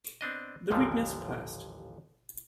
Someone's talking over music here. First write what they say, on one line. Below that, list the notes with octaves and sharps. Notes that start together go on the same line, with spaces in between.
The weakness passed.
B3 C4 D4 D#5
A1 D#2 A#2 D3 F3 G3